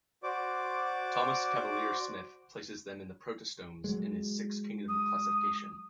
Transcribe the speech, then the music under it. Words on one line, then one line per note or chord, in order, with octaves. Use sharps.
Thomas Cavalier-Smith places them in the protostomes in his "Six Kingdom" classification.
F#4 C5 D5 D6
F#3 G#3
D#6